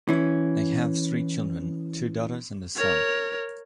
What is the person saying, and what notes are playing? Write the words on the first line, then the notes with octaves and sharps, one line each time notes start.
They have three children: two daughters and a son.
E3 C#4
A#4 C#5